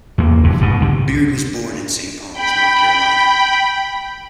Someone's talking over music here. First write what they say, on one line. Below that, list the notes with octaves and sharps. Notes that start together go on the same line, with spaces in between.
Beard was born in Saint Pauls, North Carolina.
E2 A#3
F1 G2
G#2 B2
C2 D3 G3
G5 B5